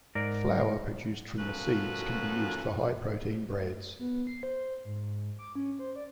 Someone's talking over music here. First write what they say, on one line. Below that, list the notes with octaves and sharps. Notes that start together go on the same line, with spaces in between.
Flour produced from the seeds can be used for high-protein breads.
G#2 A#4 D5
F#2 F3 F4 F#4 A4 B4
B3
C7
C5
G#2
D6
C#4
C5
D5